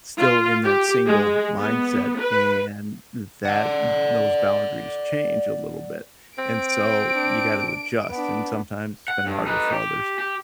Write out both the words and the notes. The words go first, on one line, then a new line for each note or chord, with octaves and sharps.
still in that single mindset, and that those boundaries change a little bit, and so you got to adjust, and sometimes it's been harder for others.
F4
G4
G#3
B3
B4
D5 F#5
C4 D7
D4
B3 D4
F#5
G2
D#4 B4
G4
G4